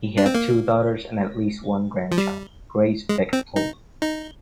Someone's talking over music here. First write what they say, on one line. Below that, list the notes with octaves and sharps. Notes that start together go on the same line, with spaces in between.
He had two daughters and at least one grandchild, Grace Bechtold.
D4
C4
A#3
F3
G3
G#3
C4
D#4
D#4